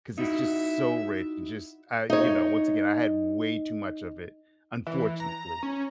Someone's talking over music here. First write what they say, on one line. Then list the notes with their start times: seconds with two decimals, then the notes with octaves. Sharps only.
'cause it's just so rich and just, uh, you know, once again, I had way too much of it, unfortunately.
0.18 D#4 E4 F#4 E5
2.10 D#4 C#5
4.87 E3
5.20 A#5
5.63 C#4